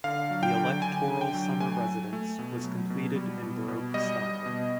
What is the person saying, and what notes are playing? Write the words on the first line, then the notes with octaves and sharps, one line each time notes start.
The electoral summer residence was completed in baroque style.
D3 F5
F#3
G5
D3
D3 G#5
D3
G5
F#3
A3 G#5
A3
A3
B2
F#3
B2
G3
B2
B2
G3 D#5
G3
B2